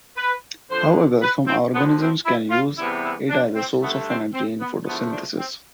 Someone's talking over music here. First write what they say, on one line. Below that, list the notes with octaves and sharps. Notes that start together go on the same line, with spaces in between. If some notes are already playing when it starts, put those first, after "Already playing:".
However, some organisms can use it as a source of energy in photosynthesis.
B4
F2 D3 F3 C5
B4
C4
D2 D3 F3 B3
C4
E4
F4
E2 C3 E3 G3 B3 E4
E4
D4
C4
G2 D3 A3 B3
C4
C4
B3
E2 D3 F3 A3 B3
D4
C4